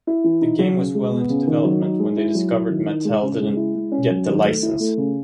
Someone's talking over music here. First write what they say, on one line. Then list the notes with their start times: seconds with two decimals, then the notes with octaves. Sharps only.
The game was well into development when they discovered Mattel didn't get the license.
0.07 E4
0.24 E3
0.41 D#4
0.59 F#3
0.77 C#3
0.95 G#3
1.11 B3
1.29 C#3
1.47 D#3
1.65 F#3
1.82 D#4
1.99 G#3
2.17 E4
2.35 F#3
2.52 E4
2.70 D#3
2.87 D#3
3.05 G#3
3.22 C#3
3.40 G#3
3.57 E4
3.75 G#3
3.92 C#4
4.10 F#3
4.28 D#3
4.44 A3
4.63 E4
4.80 A3
4.98 C#3